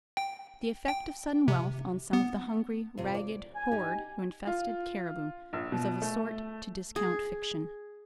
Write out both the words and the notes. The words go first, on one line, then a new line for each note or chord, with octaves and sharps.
The effect of sudden wealth on some of the hungry, ragged horde who infested Cariboo was of a sort to discount fiction.
G5
G5
C3
B3
F2 C3
D5
G#5
D#4 G4
F4
A#1
B2
A3
G#4